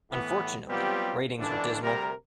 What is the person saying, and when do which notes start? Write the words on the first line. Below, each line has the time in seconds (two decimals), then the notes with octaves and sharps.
Unfortunately, ratings were dismal.
0.11 A2 E3 B3
0.69 F#3 G3 B3 C4 F4 G4
1.39 G#1 C#2 D3 E3 D4
1.82 D2 C3 G3 A#4